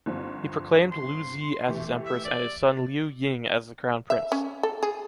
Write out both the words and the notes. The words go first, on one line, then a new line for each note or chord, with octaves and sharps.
He proclaimed Lü Zhi as his empress and his son Liu Ying as the crown prince.
G1 F3 C4
C6
E3 A3 G4
E5
D5
E5
C#4
A4
G#4